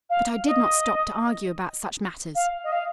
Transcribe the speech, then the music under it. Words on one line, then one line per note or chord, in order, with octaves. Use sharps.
But I did not stop to argue about such matters.
F5
D#5
F5
D#5
F5